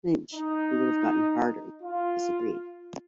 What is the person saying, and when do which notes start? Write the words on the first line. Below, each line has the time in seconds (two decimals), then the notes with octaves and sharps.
Lynch, who would have gotten "Harder", disagreed.
0.34 D#4
1.82 F4